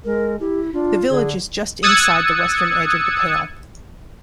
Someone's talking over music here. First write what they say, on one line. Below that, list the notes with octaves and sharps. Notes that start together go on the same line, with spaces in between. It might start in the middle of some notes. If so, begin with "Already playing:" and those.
The village is just inside the western edge of The Pale.
G#3 A#4
E4 G4
D4 F4
D3 G#4
D#6 E6 F#6 G#6 A6 C#7